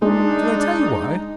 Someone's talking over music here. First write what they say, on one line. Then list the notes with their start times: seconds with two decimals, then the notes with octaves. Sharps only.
Shall I tell you why?
0.02 G#3 D4 D#4